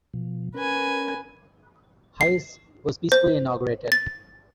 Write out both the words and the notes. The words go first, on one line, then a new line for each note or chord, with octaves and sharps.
Hayes was peacefully inaugurated.
B2 F3
C#4 A#4 B4 G#5
C7
C5
A6